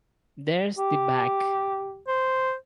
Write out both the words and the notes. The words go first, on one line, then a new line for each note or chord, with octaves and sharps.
There's the back!
G4
C5